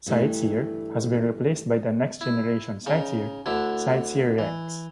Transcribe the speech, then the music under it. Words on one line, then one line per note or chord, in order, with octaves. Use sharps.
CiteSeer has been replaced by the Next Generation CiteSeer, CiteSeerX.
G2 E3 G3 A3
E4
C#3 D#4
D2 D3 E4
E3